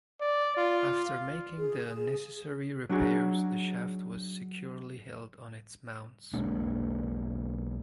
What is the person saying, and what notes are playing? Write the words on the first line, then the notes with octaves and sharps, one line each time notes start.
After making the necessary repairs the shaft was securely held on its mounts.
D5
F4
G#4
F#3 D4 D#4 F#4 G#4
B1 G#3 A#3 D4